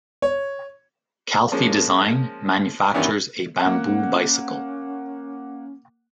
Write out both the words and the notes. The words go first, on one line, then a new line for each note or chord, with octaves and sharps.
Calfee Design manufactures a bamboo bicycle.
C#5
F3 G#3 A#3 C#4
G2 D#3 E3 G3 B3 C#4
A#3 C#4 F#5